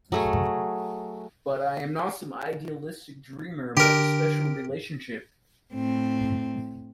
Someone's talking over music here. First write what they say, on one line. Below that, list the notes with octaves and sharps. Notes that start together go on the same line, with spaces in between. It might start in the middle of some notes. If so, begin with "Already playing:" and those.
But I am not some idealistic dreamer about the special relationship.
F#3 A3 G#4
D3 G4 A#4
A2 C4